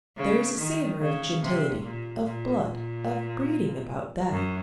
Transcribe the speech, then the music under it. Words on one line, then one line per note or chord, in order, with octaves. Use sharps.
There is a savor of gentility, of blood, of breeding, about that.
C#3
D#3
C#3
C3
A#2
A#2
A#2
F#2